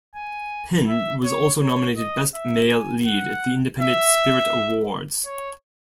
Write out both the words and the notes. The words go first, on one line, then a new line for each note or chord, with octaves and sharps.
Penn also was nominated Best Male Lead at the Independent Spirit Awards.
G#5
E5
C#5
C#5
D#5
E5
G#5
F#5
E5
C#5